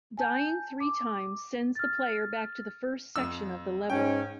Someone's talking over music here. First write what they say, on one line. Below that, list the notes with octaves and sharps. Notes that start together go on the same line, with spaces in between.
Dying three times sends the player back to the first section of the level.
G#5 A5 G6
D6
F6 A6
F2 E6
G#2 C#4 G5